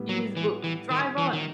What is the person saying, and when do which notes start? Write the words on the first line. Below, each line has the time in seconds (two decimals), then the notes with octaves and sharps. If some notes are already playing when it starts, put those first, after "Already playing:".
In his book Drive On!
Already playing: A2 G3 B3
0.09 F#3
0.37 E3
0.64 E3
0.91 D#3
1.18 E3
1.33 D#3